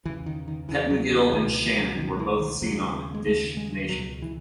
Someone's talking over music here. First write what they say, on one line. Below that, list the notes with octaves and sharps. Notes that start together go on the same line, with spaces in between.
Pettengill and Shannon were seen on Dish Nation.
E2 C#3 E3
D#3
D#3
E2 C#3 E3
F#3
E3
C#2 B2 D#3
E3
C#2 B2 D#3
E3
D#3
D#2 C#3 F#3
G#3
D#2 C#3 A3
G#3
C#2 B2 F#3
E3